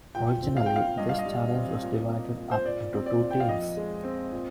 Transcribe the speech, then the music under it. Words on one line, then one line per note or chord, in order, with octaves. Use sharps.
Originally this challenge was divided up into two teams.
A#2 G5
C4
F5
G5
A#2
F5
G2 D#5
F5
D#5
G3
C4
A#2
A#3
A#2
C5
A#2 D5
C4
D5
A#2
G5
F5
F2 D#5
G#3
C4
A#2